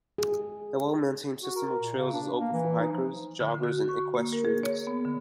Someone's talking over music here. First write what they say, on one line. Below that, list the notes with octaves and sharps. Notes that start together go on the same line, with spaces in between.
A well-maintained system of trails is open for hikers, joggers, and equestrians.
G#4
F#4
A#4
A#2
C#3
D4
A#3
E3
D#4
F3
D3
F#4
C#6
A#3
A#4
G#4
C#5
B3
D3